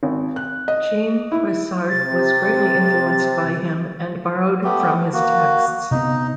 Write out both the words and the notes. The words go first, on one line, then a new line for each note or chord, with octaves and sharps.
Jean Froissart was greatly influenced by him and borrowed from his texts.
G#1
F#6
D#5
E4
C3 A6
A3 B3 G4
A#3 F#4
C3 B3 D#4